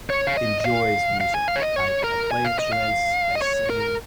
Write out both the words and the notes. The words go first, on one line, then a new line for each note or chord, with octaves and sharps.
enjoys music." I I play instruments, I sing
C#5
F5
D#5
D#5
F5
F5
G#5
F5
C#5
D#5
C#5
A#4
G#5
F5
D#5
F5
D#5
C#5
A#4